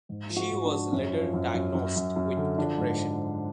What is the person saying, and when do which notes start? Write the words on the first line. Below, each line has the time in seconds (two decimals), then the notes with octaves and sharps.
She was later diagnosed with depression.
0.09 G#2
0.30 F3
0.36 F#4
0.51 G#2
0.65 D4
0.72 F3
0.92 F#2 C#4
1.13 F3
1.33 F#2
1.54 F#2
1.75 F#2
1.96 F#2
2.16 F#2
2.37 D3
2.58 F3 D4
2.78 G#2